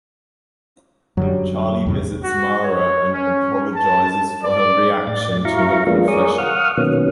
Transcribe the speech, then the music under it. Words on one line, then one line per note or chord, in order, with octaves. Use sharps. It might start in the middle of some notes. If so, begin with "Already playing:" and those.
Charlie visits Mara and apologizes for her reaction to her confession.
F#2 D3 F#3 G3
E2 G#2 C3
F#4
C#5
C#4
A5
D5
A2 D5 A6
F#3 E4 F5 A#5 C#6
F3 G#3 A#3 B3 D4 F4
G#4 A#4 C#5 D5 C#6 D#6
F5 F#5 C#6 D#6 F6
B2 D#3 F#3 A#3 B3 C#4